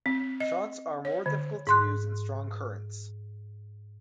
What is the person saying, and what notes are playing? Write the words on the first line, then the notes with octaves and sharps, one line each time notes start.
Shots are more difficult to use in strong currents.
C4
D#5
C#5
D3
G#2 C6 F#6